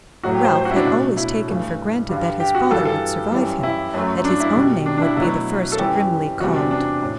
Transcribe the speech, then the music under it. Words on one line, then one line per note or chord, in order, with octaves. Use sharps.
Ralph had always taken for granted that his father would survive him--that his own name would be the first grimly called.
A2 F#3 A3 F#4
G4
C5
C5
F#4
E4
D4
B2 A3
E4
G2 E3 A3
G2 D3 G3
G4
F#4
G2 E3 G3 A4
A4
F#2 E3 G3
E4
F#2 F#3 A3
D4
E4
B2 G3
D4
D4
E4
B2 F#3 A3 E4
A4
F#2 E3 G3 G4
E2 C3 G3 F#4
D4
D4
A2